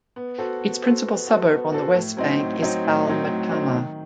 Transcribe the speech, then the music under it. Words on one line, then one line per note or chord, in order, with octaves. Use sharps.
Its principal suburb on the west bank is Al-Matamma.
B3
F#4 A4 C5
B3
F#4 A4 C5
B3
F#4 A4 C5
B3
F#4 A4 C5
A2
F#3 C4 D#4
A2
F#3 C4 D#4
A2
F#3 C4 D#4
A2
F#3 C4 D#4
D#3